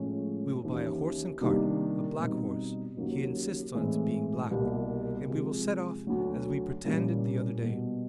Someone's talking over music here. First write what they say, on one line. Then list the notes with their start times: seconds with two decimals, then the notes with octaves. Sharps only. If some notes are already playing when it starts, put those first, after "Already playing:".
We will buy a horse and cart, a black horse, he insists on its being black, and we will set off as we pretended the other day.
Already playing: A2 F3 G#3 C#4
0.63 D#2 C#3 E3
1.41 C3 D#3 G3 A#3 D4
2.19 B2 G3 C4 D#4
2.97 D#2 C#3 F#3 A#3
3.74 A2 E3 G#3 C4
4.51 C2 B2 G3 A#3
5.29 C3 F3 G#3 C4
6.07 D2 D3 F#3
6.84 A#2 G3 A#3 C#4 E4
7.62 B2 G3 B3